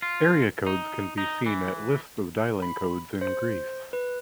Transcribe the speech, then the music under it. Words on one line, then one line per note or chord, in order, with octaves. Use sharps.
Area codes can be seen at List of dialing codes in Greece.
F4
D#4
D#4
E3
B5
C5
B4